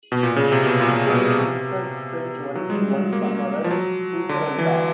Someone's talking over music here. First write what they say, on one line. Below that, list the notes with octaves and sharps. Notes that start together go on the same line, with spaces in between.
Kordelin himself spent only one summer at Kultaranta.
B2
A#2
C#3
C3
B2
A#2
B2
C3
F#3
G#3
G3
F#3
A#3
F3
F#3
D3
E3